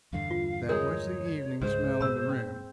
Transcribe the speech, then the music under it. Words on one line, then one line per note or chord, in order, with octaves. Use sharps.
That was the evening smell of the room.
E2 G2 D3 F5
F4
G#3 D#4 G#4 A#4 C#5
C#2 G#2 C5
A#2 B3 B5 E6
C4